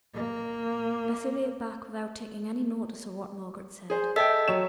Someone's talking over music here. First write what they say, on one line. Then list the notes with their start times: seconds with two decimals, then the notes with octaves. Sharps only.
Bessy lay back without taking any notice of what Margaret said.
0.14 A#3
3.90 G#4 C5
4.16 A4 D#5 E5 G5 E6 B6
4.48 F#3 C#5 E7